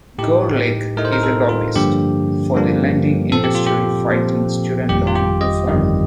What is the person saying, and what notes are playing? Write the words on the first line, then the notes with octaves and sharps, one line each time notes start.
Gorelick is a lobbyist for the lending industry fighting student loan reform.
A2 A3 D#4 G4
A2 A3 D#4 A#4
C5
A#4
A4
F4
G2 D3 F3 A#3 D4 G4
G2 D3 F3 A#3 D4
A#2 F3 C4 A4
G4
F4
G4
A#2 F3 C4
G1 F2 D#3 G3 G4
F4
G4
D#5
G1 F2 D#3 G3